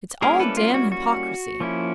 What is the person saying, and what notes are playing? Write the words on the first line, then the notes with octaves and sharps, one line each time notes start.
It's all damned hypocrisy.
G3 A#3 C#4 E4 G#4 A#4
A4 B4
F4
F#4
F#4
F3 A#3 C#4 E4